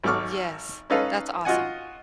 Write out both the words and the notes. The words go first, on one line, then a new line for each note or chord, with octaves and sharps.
Yes, that's awesome.
G#1 F#3 A4 C#6 D6 F6
C#4 D#4 A4 B4 F5
F4 F#4 D#5 F#5 G#5